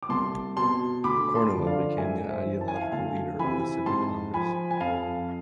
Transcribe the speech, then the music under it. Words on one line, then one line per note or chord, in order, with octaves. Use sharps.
Kornilov became the ideological leader of the Civic Congress.
D6
C2 A5 C6
B2 A5 C6
D2 B5 D6
D6
A5 C6
D3 F3
D5 F5
G#2 E5 G#5
C5 E5
E3
A5
G#5
F5
E5 G#5
D2 F5 A5
C3 E3 G#5 B5
G#2 A5 C6
F3 G#5 B5
G#5
F2 F5 A5